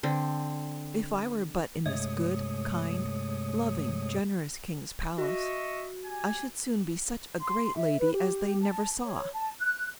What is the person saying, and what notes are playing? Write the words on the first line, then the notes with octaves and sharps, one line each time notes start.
If I were but in this good, kind, loving, generous king's palace, I should soon be such a great lady as they never saw!
D3 C4
G2 C3 G#3 A3 C#5 D#6
F#4 D#5 E5 C#6
G4 G#5
C6
E5
B4
G4
A5
C#5
A5
F#6